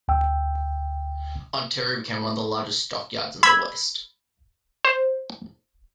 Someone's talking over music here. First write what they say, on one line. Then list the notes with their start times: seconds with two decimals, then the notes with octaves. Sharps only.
Ontario became one of the largest stockyards in the West.
0.08 D2 G5 E6
3.43 B5 E6 G#6
4.85 C5